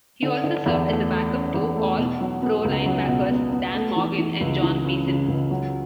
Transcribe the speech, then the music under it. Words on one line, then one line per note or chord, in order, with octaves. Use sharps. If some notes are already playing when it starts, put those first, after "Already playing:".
He also served as a backup to All-Pro Linebackers Dan Morgan and Jon Beason.
D3
D3
E2
A3
A3
C#4
E2
A3
B2
F#3
B3
C#2
F#3
B2
B3
B3
A3
E3
E3
C#2
E3
C#3
C#3
C#2
F#3